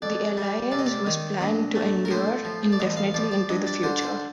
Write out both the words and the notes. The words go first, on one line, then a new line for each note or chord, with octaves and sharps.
The alliance was planned to endure indefinitely into the future.
F2 D5
G3
C3 D5
D#5
D5
D#3
A#1 D#5
A3
A#4
A2 C5
F3
D5
A1 D#5
F5
F3 D5
D5
G2 D#5
D5
D3 C5
D5
C5